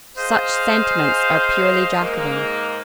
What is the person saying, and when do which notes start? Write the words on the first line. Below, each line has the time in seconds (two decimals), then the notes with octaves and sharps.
Such sentiments are purely Jacobin.
0.17 G#4 C5 D#5 F5
2.00 G#2 A#3